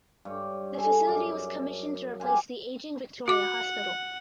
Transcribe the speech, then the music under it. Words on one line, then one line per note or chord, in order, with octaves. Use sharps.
The facility was commissioned to replace the aging Victoria Hospital.
G2 C#5
G#4 A4
F#2 D6
G4 C5 F5 G#5
F#4 F#5 D6